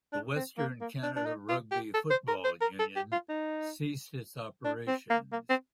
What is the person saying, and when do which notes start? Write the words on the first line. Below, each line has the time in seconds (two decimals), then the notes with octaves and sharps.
The Western Canada Rugby Football Union ceased its operations.
0.13 D4
0.36 C4
0.58 A#3
0.81 A#3
1.03 D4
1.16 D4
1.26 D#4
1.49 F4
1.71 G4
1.94 A4
2.10 C5
2.28 A#4
2.44 C5
2.61 A#4
2.79 A4
2.96 G4
3.12 F4
3.29 D#4
4.65 D4
4.87 C4
5.10 A#3
5.32 A#3
5.49 C4